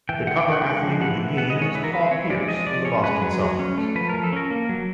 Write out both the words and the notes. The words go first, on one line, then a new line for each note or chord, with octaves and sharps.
The cover athlete of the game is Paul Pierce of the Boston Celtics.
E3 G5
D3 F#5
G5
D3
F#5
G#3 G5
F#5
F3
E3 F#5
E3
B3 F#5
D#5
G#3
C#5
E3 B4
A#4
E3 B4
C5
C4 C#5
G#3 D5
F3 D#5
F3 D5
C#4 C#5
G#3 B4
F#3
F#3
C#4
A3
F3 B4
F3 A#4
A4
C#4 A#4
A#3
F#3